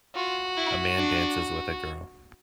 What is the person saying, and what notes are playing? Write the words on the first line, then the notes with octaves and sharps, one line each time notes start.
A man dances with a girl.
F4 F#4
E4
D4